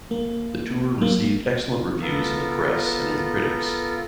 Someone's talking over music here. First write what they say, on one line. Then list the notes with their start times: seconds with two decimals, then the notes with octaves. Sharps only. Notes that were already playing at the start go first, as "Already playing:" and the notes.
The tour received excellent reviews in the press and with critics.
0.11 A#3
0.98 F#3 A#3
2.01 B3 F4 A4 A#4